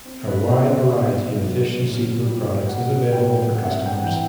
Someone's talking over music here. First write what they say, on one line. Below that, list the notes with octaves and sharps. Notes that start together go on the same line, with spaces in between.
A wide variety of fish and seafood products is available for customers.
C4
B4
B2 C5
D5
E5
B2
F#3
A2
G3
G3 F#5
A2 G5
C4 F#5
E5
F#5
G5
F#5
E3 G5